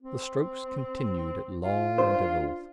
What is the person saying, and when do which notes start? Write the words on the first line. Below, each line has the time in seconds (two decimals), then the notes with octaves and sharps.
The strokes continued at long intervals.
0.03 C4
1.63 F4
1.98 D4 C5